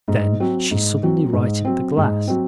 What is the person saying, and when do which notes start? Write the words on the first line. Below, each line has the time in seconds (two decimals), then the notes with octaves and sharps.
Then she suddenly righted the glass.
0.08 G#2
0.40 F#3 C4
0.71 G#2
1.03 F#3 C4
1.33 G#2
1.65 F#3 C4
1.97 G#2
2.28 F#3 C4